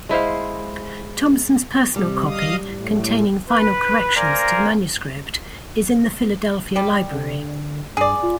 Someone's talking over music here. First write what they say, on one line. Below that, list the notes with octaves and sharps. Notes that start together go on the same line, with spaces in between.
Thomson's personal copy, containing final corrections to the manuscript, is in the Philadelphia library.
G#3 E4 C5 F5
C3 G3
D#5 F5 D#6
A2
B4
A#4 C5 D5 F5 G#5 A#5
G3
D3
G2 G#4 D5
F4